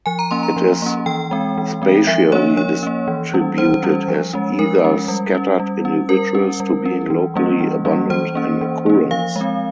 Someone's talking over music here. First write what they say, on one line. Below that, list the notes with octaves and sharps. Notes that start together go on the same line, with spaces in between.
It is spatially distributed as either scattered individuals to being locally abundant in occurrence.
F3 G#5
A#5
A#3 C#4 C6
A#5
F3
A#3 C#4
E3 G5
G#3 C4
E3
G#3 C4
F3 E5
A#3 C#4 C#5
F3 C#5
A#3 C#4
E3
G3 C#4
E3 C5
G3 C#4
F3
G#3 C#4
F3 A#4
G#3 C#4
G3
C#4
G3
C#4
G3 A#4
C#4
G3
C#4
E3
G3 A#3 C#4
E3
G3 A#3 C#4
E3 C5
A#3 C#4
E3
A#3 C#4
F3 F5
G#3
C4